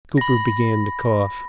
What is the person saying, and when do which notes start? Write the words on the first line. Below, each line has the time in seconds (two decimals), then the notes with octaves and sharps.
Cooper began to cough.
0.18 B5 A#6